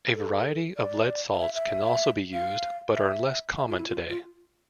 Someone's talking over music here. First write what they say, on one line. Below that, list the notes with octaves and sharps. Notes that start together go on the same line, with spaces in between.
A variety of lead salts can also be used, but are less common today.
A4
D5
F5
E5
E5
F5
E5
E5
F4
E4
F4
F4